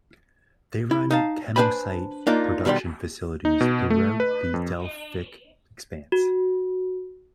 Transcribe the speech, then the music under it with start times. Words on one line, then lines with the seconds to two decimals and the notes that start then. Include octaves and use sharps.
They run kemocite-production facilities throughout the Delphic Expanse.
0.91 E4
1.11 D#4 F5 A5
1.56 D4 B4 C5 G#5 B5
2.27 A#3 D4 D#4 F4
2.65 B2 D#3 G3 D5 C6
3.45 D#4
3.61 B2
3.90 A3
4.20 B4
4.54 F2
6.12 F#4